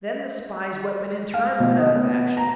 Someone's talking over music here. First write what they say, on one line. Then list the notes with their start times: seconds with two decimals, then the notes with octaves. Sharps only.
Then the spy's weapon in turn went out of action.
1.34 F5
1.60 B2
1.77 D#5
1.95 B3
2.37 A#5